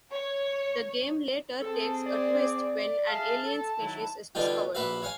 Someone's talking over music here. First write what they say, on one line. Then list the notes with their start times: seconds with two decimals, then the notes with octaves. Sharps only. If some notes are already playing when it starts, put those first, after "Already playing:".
The game later takes a twist, when an alien species is discovered.
0.11 C#5
1.62 C4 G#4 A4
2.06 D5
3.07 G#4 E5 F5 A5
3.43 A4
3.79 D#3 F#3 E4
4.35 B2 D3 G3 D#4 F4 G5
4.75 A#1 F#4 B4 E5 F5
5.02 C#5 F5 G#5